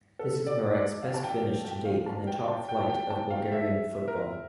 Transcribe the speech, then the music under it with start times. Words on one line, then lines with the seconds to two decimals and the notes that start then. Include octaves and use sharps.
This is Marek's best finish to date in the top flight of Bulgarian football.
0.19 A4
0.47 D5
0.75 D5
1.03 F5
1.14 A5
1.23 G5
1.65 G5
1.85 F5
2.06 A5
2.27 G5
2.48 A5
2.69 G5
2.81 A5
2.90 G5
3.10 A5
3.30 F5
3.52 E5
4.08 A#4